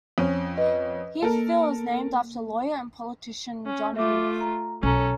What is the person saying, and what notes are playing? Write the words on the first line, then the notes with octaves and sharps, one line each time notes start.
"Heathsville" is named after lawyer and politician John Heath.
F2 C4 C#4
B4 D#5
A#3 A4 A#4
C#4
A3 F4 E5 D6
A#5
B1 C#4 A4 C#5 A#5